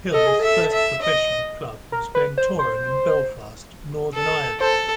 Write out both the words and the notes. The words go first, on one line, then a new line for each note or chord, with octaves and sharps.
Hill's first professional club was Glentoran in Belfast, Northern Ireland.
A4 D#5
G#4
A4 E5
E5
D#5
A#4
B4
C5
C5
A4
A4 C5